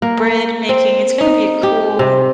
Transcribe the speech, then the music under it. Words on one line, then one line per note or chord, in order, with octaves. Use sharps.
bread making, it's gonna be a cool,
A#3
C4
D#4
G4
C3